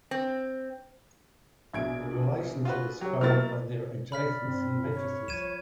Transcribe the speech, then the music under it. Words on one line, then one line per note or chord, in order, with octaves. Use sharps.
The relations are described by their adjacency matrices.
C4
A#1 B2 E5 G#6 D7
F4 F#4 B4
F#3 G4 C#5
F#3 A#3 B3 E4 A#4 F6 A6
D5 B5 F6 B6
G2 C4
C3 C#5
C2 F3 G#6 D#7 E7